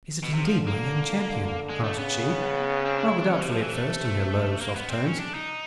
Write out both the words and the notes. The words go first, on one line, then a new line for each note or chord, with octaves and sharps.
"Is it indeed my young champion?" asked she, rather doubtfully at first, in her low, soft tones.
B2 D3
C3
F3
A#3
G#3
A3
C#3 B3
C4
D4
E4
D4
C3 C#4
G3
F3
E3
A3
A#3
B3
C4
C#4
D4
D#4